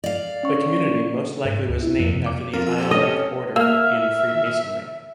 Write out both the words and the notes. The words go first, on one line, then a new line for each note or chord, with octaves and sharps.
The community most likely was named after the Ionic order in Freemasonry.
D5 F5
C#4 C#6
G#2
D2
E4
F2
C3
D6
F2 F4 A#4
E6
C4 G4 A4
C#4 D#5
A#3 E5 E6 F6